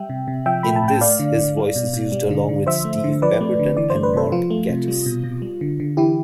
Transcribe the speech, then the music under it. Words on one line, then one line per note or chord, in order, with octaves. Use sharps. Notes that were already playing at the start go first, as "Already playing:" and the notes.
In this, his voice is used along with Steve Pemberton and Mark Gatiss.
Already playing: G3 E5 G5
C3
C3
F3 E5 G5
A3 B5
A5
A2 G5
A3 D5 F5
D3
D3
G3
B2
B2
G3
D3
D3
F3 C5 E5
A3
D3
F3 B4 D5
A3
D3
E3 D5
C5
A3
B4
C3 A4 C5
F3 F4
A3
C3
G3
B2
B2
G3
D3
D3
E3 E4 G4